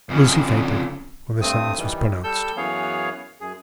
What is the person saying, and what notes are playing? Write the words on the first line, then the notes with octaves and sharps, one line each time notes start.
Lucie fainted when the sentence was pronounced.
F2 C#3
G2 A3 C4 D#6
D#3 E3 G3
G3 A4 E6 G6
F#2 E3 B3 G#4 C#5 F5
F#2 G#4